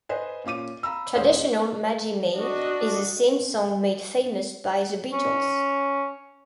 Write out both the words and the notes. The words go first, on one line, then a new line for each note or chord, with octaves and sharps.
Traditional Maggie May is the same song made famous by The Beatles.
B4 C5 D#5 G#5
A#2 C#4 F4 D6 D#7
F5 A#5 B5 E6
D#1 G#3 C#4 C5 F5 D#6
D4 F#4 D#5
C#4